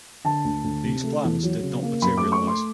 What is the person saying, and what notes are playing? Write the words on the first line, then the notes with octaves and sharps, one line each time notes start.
These plans did not materialize.
D3 A5
D2
D2
C3
A3
E2
F#3
C#3
A#3
F#2 B5
A3 D6
C#6
A3
C6